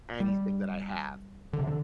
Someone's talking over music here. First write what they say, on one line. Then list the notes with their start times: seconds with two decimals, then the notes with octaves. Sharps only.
anything that I have.
0.20 G3
1.53 D3
1.59 C3
1.67 D3